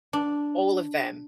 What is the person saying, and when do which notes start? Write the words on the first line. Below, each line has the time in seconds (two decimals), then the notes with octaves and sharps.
all of them
0.13 D4